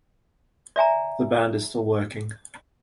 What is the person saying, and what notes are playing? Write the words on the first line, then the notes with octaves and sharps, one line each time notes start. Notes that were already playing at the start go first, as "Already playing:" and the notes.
The band is still working.
D5 E5 G#5 A#5